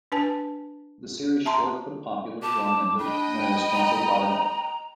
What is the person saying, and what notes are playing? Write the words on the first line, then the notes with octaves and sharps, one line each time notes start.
The series' short but popular run ended when it was canceled by the network.
D4 B4 G#5 A5
E5 A5 A#5 C6
A5 D6
D4 D#5 G5 B5
A#5